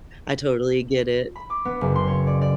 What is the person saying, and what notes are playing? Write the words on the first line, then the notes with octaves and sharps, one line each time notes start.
I totally get it.
B5
D6
B3
F#1
C6
C#5
D5
D5